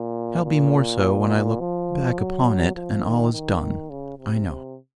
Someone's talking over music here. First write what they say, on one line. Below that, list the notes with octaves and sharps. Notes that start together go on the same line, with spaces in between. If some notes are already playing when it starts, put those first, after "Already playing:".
I shall be more so when I look back upon it, and all is done, I know.'
Already playing: A#2
A#2
F3
F#3
F3
D#3
D#3
C#3
C3
C3